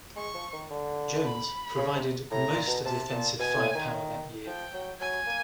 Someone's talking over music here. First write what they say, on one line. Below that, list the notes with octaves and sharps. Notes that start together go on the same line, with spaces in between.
Jones provided most of the offensive firepower that year.
G#3 C#6
F3
D#3
D3
B5
C#3
C3
A2 A#5
A#2
B2
C3 A5
A#2
B2 G#5
A2
D#3
F3 G5
F#3
F#3 G#5
A#3